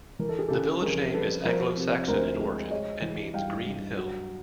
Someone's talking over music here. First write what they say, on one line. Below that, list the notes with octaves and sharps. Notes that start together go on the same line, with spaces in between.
The village name is Anglo Saxon in origin, and means 'green hill'.
E3 A#4
A4
G#4
C#3 G4 A4
F2 G#4 A#4
G3 A4 B4
F3 A#4 C5
C3
D2 A#4 C5
G#3
G#3 C#5 D#5
E3
G2 F5 G5
G2
F#3